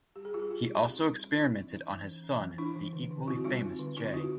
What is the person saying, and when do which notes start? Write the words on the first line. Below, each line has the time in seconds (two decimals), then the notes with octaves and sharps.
He also experimented on his son, the equally famous J.
0.15 G3 G4
0.25 G#4
0.33 G3 F4 G4
0.50 G3 F4 G4
0.67 G3 D#4
0.85 C4 D#4
1.02 G3
1.19 G3 D#4
1.37 C4 D4 E4
1.54 E3
1.72 C#4 D#4
1.89 E3
2.07 E3
2.23 C#4
2.40 E3
2.58 E3 D4 E4
2.76 E3
2.93 D3
3.10 D3
3.28 C4 E4 F#4
3.44 G3 D#4 F4
3.62 C4
3.79 D3
3.96 C4 D#4 F4
4.14 D3 E4 F#4